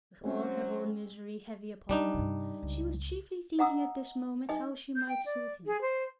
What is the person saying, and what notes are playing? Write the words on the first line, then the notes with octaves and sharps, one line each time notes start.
With all her own misery heavy upon her, she was chiefly thinking at this moment how she might soothe him.
F#3 G#3 C4 C#4 C5
G3 G#3 D4 D#4
G2 C3
C#2
D#5 F#5 A#5 D#6 E6
D#4 D#5 G#5
G6
G5
D5
G#4
C5